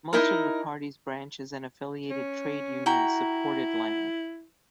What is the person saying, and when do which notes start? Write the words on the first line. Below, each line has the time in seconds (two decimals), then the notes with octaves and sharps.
Most of the party's branches and affiliated trade unions supported Lang.
0.13 D#4 E4 A#4
2.10 C#4
2.86 E4 F#4 G5 A#5